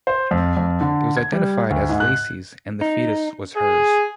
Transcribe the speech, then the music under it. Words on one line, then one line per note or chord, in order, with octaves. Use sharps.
It was identified as Laci's, and the fetus was hers.
C5
F2
F2
D3
G#6
G3
D2
G#2
F#6
D#4
G#4